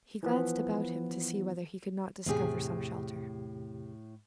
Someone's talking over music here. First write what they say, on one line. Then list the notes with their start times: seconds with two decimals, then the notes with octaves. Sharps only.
He glanced about him, to see whether he could not discover some shelter.
0.23 E3 F3 B3
2.26 E2 A2 C3 G4 G#4